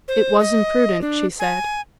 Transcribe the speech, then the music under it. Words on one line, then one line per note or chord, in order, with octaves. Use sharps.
"It was imprudent," she said.
C5
D#5
D4
G#5